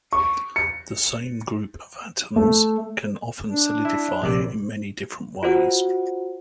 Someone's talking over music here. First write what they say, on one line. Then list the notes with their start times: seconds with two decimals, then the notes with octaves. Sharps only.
The same group of atoms can often solidify in many different ways.
0.13 C#6
0.56 C#7
2.36 A3
3.50 D4
3.85 E4 E5
4.22 A#1 C3 D5
5.43 F4 F#4 C5 F#5